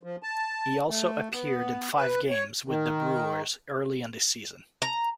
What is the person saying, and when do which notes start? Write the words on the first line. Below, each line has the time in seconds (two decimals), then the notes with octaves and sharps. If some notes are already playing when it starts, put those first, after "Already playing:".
He also appeared in five games with the Brewers early in the season.
0.03 F3
0.23 A5
0.89 A3
1.32 B3
1.96 B4
2.30 C#5
2.68 D#3
4.82 A#5